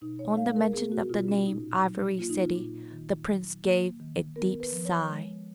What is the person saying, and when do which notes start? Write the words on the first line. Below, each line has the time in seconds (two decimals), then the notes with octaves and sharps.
On the mention of the name Ivory City the prince gave a deep sigh.
0.01 B2 D#4
0.19 C#5
0.37 G#3 F5
0.56 A#4
0.73 B3 G#4
0.92 F#4
1.10 B2 F4
1.28 C#4
1.46 A#2 D#4
1.83 F#3
2.19 A#3 F4
2.30 D#4
2.41 F4
2.55 A#2
2.92 D#3
3.27 F#3
3.64 A#3
4.00 D#3
4.36 B3 A#4
4.60 B4
4.72 F3
4.85 C#5
5.09 G#3